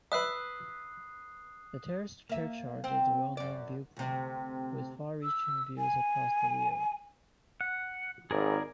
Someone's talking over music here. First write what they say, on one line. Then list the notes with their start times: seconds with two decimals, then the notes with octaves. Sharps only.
The terraced churchyard is a well-known viewpoint, with far-reaching views across the Weald.
0.12 B4 E5 D#6 F#6 C7
2.29 A#3 E5
2.84 C4
3.37 F#2 D5
3.97 D2 C3
5.23 E6
5.78 G#5
7.61 F#5
8.31 G#1 G#4 A#4 D5